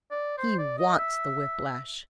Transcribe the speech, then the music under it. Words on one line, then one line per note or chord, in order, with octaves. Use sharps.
He wants the whiplash.'
D5
C5
D5
D#5
E5